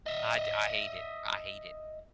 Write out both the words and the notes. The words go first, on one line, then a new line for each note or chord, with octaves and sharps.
I d I hate it, I hate it.
D#5 E5